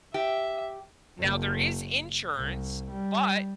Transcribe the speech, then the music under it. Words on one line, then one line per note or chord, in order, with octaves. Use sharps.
Now, there is insurance, but
G4 E5
F#1
C2
G3